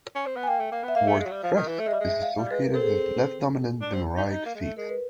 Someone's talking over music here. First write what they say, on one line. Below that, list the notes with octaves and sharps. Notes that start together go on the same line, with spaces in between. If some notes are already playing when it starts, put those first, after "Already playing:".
Word stress is associated with left-dominant bimoraic feet.
C#4
C4
B3
G#5
A#3 G5
A3
A#3
B3
E5
A#3 F5
A3
G#3
F#3
G3
F3
D#3
E3
A3
G#3 E5
G3 D#5
G#3
E5
F5
G3 F5
G#3 B4
A#4
C4 A4
G#4
A4
D4
C4
D#4
D4
D#4
A#3
G#3
A3
G#3 A#4
B4